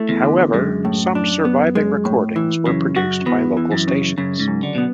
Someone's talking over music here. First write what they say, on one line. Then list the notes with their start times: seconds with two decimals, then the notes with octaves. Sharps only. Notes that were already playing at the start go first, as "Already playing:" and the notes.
However, some surviving recordings were produced by local stations.
Already playing: A3 E4
0.09 E2
0.24 D3
0.54 F#2 G#3
0.85 A2
1.15 D4
1.45 B3
1.75 G#3
2.05 A2
2.36 E3
2.66 F#2 C#3
2.96 F#2 F#4
3.26 E2 B3
3.57 E3
3.72 F#2
3.88 C#3
4.18 F#2 C#3
4.40 G#2
4.48 F#2
4.63 D3
4.75 B2 B3